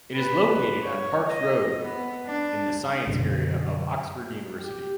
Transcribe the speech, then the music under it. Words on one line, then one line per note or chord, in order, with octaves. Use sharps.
It is located on Parks Road in the Science Area of Oxford University.
B4
C#5
D#5
B3
D4
F#2 B2 D3
G4